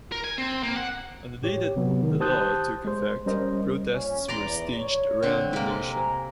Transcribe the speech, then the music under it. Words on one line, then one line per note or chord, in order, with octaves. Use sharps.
On the day that the law took effect, protests were staged around the nation.
A#4
G#5
C4
A#3
F#5
A2 G4 C#5
C3 F#3 B3
D#3
G4 C5 A5 D#6 F#6 G6
G#3 C5
G3 C#4 A#4 C5 D#5
A#2 C#4
E2 D5 A#5 C6
C#5
D3 C4
C3 G#3 A#3 C4
G#5 A#5